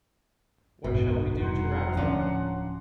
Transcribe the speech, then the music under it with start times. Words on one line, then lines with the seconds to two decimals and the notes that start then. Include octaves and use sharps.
What shall we do to rouse them?
0.84 F#1 B1 G#2 B2
1.39 F1 G3 F#5 A#5 C6
1.97 D1 F3 C#4 D4 F4